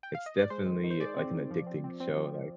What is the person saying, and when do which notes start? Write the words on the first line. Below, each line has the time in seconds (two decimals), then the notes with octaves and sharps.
It's definitely, like, an addicting show. Like
0.03 G5
0.15 F5
0.26 D#5
0.39 D5
0.50 G#3 C5
0.66 D#3
0.84 D#3
0.91 C5
1.00 G#3 D5
1.16 C4
1.34 D#3
1.51 F3
1.67 C4
1.84 C4
2.00 C4
2.17 F3
2.34 F3